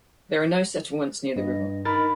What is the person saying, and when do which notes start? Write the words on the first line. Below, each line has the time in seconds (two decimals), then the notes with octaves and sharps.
There are no settlements near the river.
1.36 G2 D#5
1.85 D#4 A#4 B5 A6